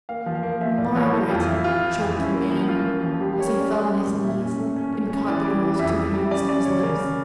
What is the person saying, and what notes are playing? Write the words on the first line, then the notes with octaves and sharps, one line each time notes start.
"Margaret!" choked the man, as he fell on his knees and caught the girl's two hands to his lips.
A#3 F5
F3
F5
A#3
F3 E5
A2 D5
F3 C#5
E3 A4
F2 F4
F2 E4
E3 F4
E3
F2
C#4 E4
A#3
F3
C#4 F4
A#3
F3
G3 G4
G4
G3 C#5
A#4
C#4
D5
C#4
G3
A2
A#2 E5
C#4
A3
C#4
C#4
C#4
E3 D5
G3
E3
F2 E5
F2
G3
E5
C#4 D5
C#4 D5
C#3 C#5
C#3 A#4
C#3